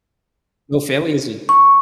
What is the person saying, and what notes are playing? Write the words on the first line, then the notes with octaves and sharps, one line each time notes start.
no family is a
C#6